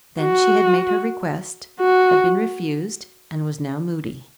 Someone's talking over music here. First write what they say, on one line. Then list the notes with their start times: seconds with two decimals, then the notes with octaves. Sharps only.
Then she had made her request, had been refused, and was now moody.
0.21 F#4
1.81 F#4